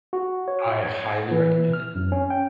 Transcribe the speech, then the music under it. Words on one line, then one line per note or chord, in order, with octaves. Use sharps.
I highly recommend it
F#4
C#5
G#6
E3
F6
F#2
C#4
G5